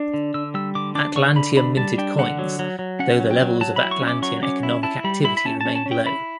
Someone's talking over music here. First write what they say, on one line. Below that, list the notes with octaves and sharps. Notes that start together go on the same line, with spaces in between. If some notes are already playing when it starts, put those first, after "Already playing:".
Atlantium minted coins, though the levels of Atlantian economic activity remained low.
Already playing: D4
D3
D3 E6
G3 E6
D3 D6
D4 D6
D3 C#6
D3 B5
D4 B5
G3 A5
D4 G5
D3 F#5
F#3
F#3
F#3
C#4 F#5
F#3
G5
F#3
F#3 A5
B5
E4
C#6
C#4
D6
F#3 C#6
C#4 D6
E4
E4 A5
G3 B5
E4 B5
B5
C#4 A5
C#4 A5
A5
C#4
G5
E4 B5